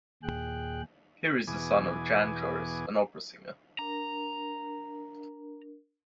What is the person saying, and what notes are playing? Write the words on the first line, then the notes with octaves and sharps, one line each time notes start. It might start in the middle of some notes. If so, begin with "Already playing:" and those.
He is the son of Jan Joris, an opera singer.
D#2 A#2 G#4 G5 F#6
E2 B2 E3 G#4 G#5 D6
D4 A#4 A#5